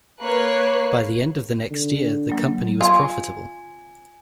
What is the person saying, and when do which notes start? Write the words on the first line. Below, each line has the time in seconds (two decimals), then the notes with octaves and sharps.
By the end of the next year the company was profitable.
0.21 A#3 B4 C#5 F#6 C7
1.71 D3
2.30 F#3 A#3
2.81 F4 G#5